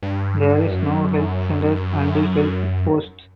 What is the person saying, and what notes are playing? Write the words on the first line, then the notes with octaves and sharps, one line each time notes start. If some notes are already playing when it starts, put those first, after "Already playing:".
There is no health centers and health posts.
G2
F#2